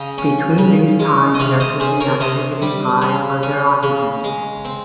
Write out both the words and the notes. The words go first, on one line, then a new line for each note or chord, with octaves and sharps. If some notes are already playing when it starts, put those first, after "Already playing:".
Between these times there could be activity by other occupants.
Already playing: C#3 D#5 G5
C#4
C#3
G#3
D#5
C3 C#5 F5
C5 D#5
C#4 G#4 C5
A#4 C#5
C3 C5 D#5
G3
C#3
C#4
C#3
G#3
C4